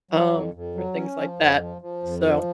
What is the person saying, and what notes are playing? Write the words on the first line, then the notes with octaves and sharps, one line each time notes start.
um, or things like that. So,
F#3
F2
F2
F#3
C#4
F3
F2
F3
F3
F2
F3